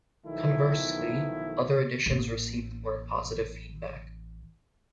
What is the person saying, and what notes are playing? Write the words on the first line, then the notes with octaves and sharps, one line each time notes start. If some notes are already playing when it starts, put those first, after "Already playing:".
Conversely, other additions received more positive feedback.
B1 D#3 F3 A3 B3 E4
A1 A#3